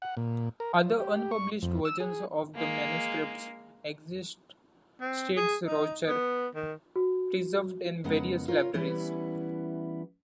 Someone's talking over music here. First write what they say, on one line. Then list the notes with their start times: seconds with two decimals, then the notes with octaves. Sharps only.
Other unpublished versions of the manuscripts exist, states Rocher, preserved in various libraries.
0.02 F#5
0.17 A#2
0.60 A#4
0.74 F3
1.00 G4
1.31 C#6
1.62 F2
1.85 E6
2.00 G#4
2.55 G#3 A#3
5.01 C4
5.37 G#4
5.66 D#4
6.07 B3
6.55 D#3
6.96 F#4
8.04 F2 C#3 G#3 B3 A#4 F#5
8.48 F4 A#4 C#5
8.74 E3 G3 B3 C#4 E4